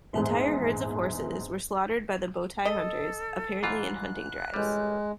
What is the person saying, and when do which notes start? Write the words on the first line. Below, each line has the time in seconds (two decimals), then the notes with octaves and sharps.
Entire herds of horses were slaughtered by the Botai hunters, apparently in hunting drives.
0.13 A#1 E2 G#2
2.65 A4 D#5
3.63 G#2 E3 F4 F#6
4.54 A1 G3 G#3